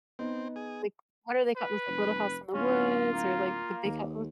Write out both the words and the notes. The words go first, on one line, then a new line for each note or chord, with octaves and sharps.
Like, what are they called there's, like, Little House in the Woods or, like, The Big Hou
B3 C4 D#4
G#4
B4
F1
D1 C#4 F4
A#3
A#3
D#2